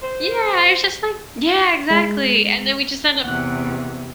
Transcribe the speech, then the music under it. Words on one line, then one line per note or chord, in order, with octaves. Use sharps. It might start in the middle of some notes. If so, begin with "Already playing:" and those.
Yeah, it's just like Yeah, exactly, and then we'd just end up
C5
G#3
E2 C3 F#5 F#6